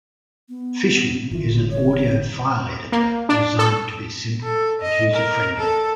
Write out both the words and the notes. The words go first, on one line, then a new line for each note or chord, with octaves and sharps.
Fission is an audio file editor designed to be simple and user-friendly.
B3
G1 E3 F4
C#5
A#3
D4
A4
A4
D#5
A#4
A4